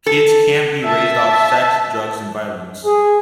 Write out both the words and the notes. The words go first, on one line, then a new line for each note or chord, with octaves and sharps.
Kids can't be raised off sex, drugs and violence.
A4
E5 A5
G#4